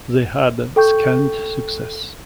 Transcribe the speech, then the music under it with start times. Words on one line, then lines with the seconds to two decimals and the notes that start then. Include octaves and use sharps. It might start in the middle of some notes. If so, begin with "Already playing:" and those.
They had scant success.
0.76 A4 G5 C#6 G6